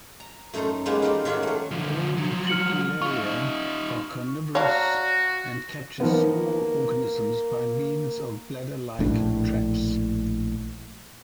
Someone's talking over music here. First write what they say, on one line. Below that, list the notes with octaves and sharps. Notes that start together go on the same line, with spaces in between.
All "Utricularia" are carnivorous and capture small organisms by means of bladder-like traps.
A#5
F#2 A3 D#4 A4 A#5 C6
G#3 A#3 B3 D#4 G4 G#4
D#4 F4 G4 A#4 D5 D#5
D#3 C#4 F4 F#4 D5 F5
F#3 A3
D3 F3
F3 F#3
F6 C#7 F#7
D#4 F4 C#6
D4 F#4 C#5 F5 A#5
D#3 F3 A#3 B3
A#1 A2 D4